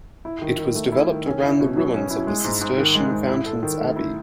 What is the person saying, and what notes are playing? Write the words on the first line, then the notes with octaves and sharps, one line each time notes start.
It was developed around the ruins of the Cistercian Fountains Abbey.
E4
D#3
D#3
A3
E4
D#3
C#4
E4
B2
F#3
C#4
E4
G#3
G#2
G#2
D#3
G#3
G#2
E4
A4
D#3
A3
E4